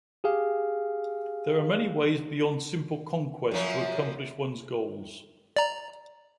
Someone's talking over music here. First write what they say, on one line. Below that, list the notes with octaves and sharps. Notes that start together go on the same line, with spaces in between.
There are many ways beyond simple conquest to accomplish one's goals.
G4 G#4 F5
F#2 F3 F#3
D5 A#5